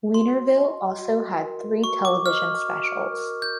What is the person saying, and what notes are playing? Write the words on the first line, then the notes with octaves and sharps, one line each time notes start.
Weinerville also had three television specials.
F#4 C6
D#5
F#4
A#4
F#4 C#6
D6
D#5 F6
F#4
A#4
G6